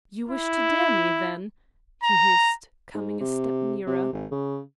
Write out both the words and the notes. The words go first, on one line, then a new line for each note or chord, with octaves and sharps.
"You wish to dare me, then?" he hissed, coming a step nearer.
E4
A#5
G#2
C3
C3
G#1
C#3